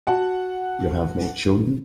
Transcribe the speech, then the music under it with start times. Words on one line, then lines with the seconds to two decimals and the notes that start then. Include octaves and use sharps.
You have no children.
0.07 F#4 F#5 A5